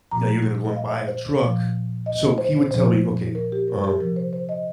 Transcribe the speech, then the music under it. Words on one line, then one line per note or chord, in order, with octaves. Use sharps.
"Now you're going to go and buy a truck." So he would tell me, "Okay, um,
A#2 F3 A#5
D#5
F5
C5
A#2 F3 F5
D#5
C5
A#2 F3 C5
A#4
G4
A#4
G4
C3 F3 A#4
C5
C5
D#5